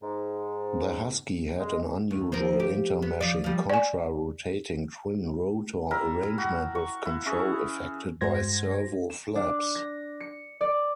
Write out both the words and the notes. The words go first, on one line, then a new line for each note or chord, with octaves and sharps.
The Huskie had an unusual intermeshing contra-rotating twin-rotor arrangement with control effected by servo-flaps.
G#2
G#3
D#2
F3 C4 A#4
G4
B3
F3 D5
F3 G3
D5 G#5
G3 E4 A#4
F#4
C#6
E4
E3 C#4 G#4 C#6
G2 G#3 F#4 C5 G#6 A#6
E7
D4
A#6
C#7
D5